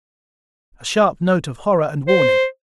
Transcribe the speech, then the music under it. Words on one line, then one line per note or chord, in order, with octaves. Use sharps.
A sharp note of horror and warning.
C5